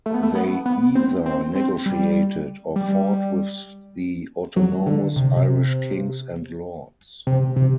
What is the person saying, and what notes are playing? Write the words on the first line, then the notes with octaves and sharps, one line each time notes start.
They either negotiated or fought with the autonomous Irish Kings and lords.
A3
B3
A3
B3
B3
C4
C4
C4
G3
G3
F#3
D3
C3
C3
C3
C3